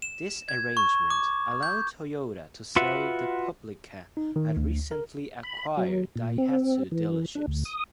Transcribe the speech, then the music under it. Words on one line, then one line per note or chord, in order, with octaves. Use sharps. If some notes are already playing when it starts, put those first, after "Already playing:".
This arrangement allowed Toyota to sell the Publica at recently acquired Daihatsu dealerships.
E7
G#6
C#6
D6
G6
F4 F#4 B4 E5 F#5
D#4
D#3
D2
A#4
B5
F#3
A#2
C4
E3
D4
D2
D#6